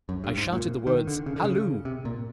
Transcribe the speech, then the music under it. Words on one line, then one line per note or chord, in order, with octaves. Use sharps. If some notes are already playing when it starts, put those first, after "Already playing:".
I shouted the words 'Halloo!
F#2
G2
G#2
A#2
D#3
D3
C#3
D3
C#3
C3
A#2